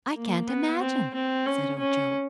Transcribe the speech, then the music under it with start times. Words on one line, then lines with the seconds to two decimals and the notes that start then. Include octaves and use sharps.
"I can't imagine," said Ojo.
0.15 A#3
0.48 B3
0.81 C4
1.14 C4
1.46 C#4
1.79 C#4